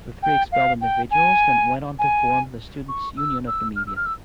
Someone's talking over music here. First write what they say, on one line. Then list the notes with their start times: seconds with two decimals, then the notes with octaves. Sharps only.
The three expelled individuals then went on to form the Students Union of Namibia.
0.23 G5
0.52 F5
0.81 G5
1.11 G#5
1.99 G#5
2.89 C#6
3.17 E6
3.48 E6
3.76 F6
3.87 E6
3.96 F6
4.06 E6